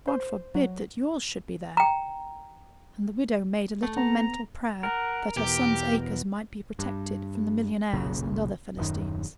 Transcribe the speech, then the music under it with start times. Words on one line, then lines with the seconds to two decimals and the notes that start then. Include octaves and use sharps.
"God forbid that yours should be there!" And the widow made a little mental prayer that her son's acres might be protected from the millionnaires and other Philistines.
0.08 C5
0.55 F#3
1.77 G5 A#5
3.83 A3
3.97 B3 A#5
4.83 A#4 F#5
5.37 E2 B2 G4
6.79 G2
7.94 F#1 B1 A#2 C#3
8.77 D#1 F#2 D#3